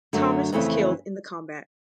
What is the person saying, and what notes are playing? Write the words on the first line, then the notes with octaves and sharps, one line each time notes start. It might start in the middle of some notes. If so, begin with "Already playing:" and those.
Thomas was killed in the combat.
F#2 D3 F#3 A3
F2 C#3 E3 A3 C4